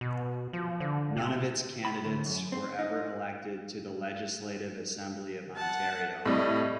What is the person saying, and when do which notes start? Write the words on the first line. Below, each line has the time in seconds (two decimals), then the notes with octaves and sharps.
None of its candidates were ever elected to the Legislative Assembly of Ontario.
0.01 B2
0.53 F3
0.80 D3
1.17 C3
1.85 B5
2.05 D2
2.26 F#2
2.52 C4
2.79 D#4
5.56 F#5 A5
6.26 A2 C3 G3 D#5